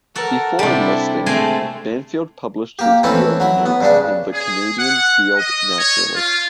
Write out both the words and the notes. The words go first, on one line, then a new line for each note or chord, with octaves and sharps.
Before enlisting Banfield published his field notes in the "Canadian Field Naturalist".
F#4 A4 A#4
C3 G3 D4 E4
G#3 A3 C4 G#5
A#3 G4
E3 A3 C4 C#4 E4
F#3 E4
B3
G2 C#3 D4
G#4
F#5
D#5
C#5
F4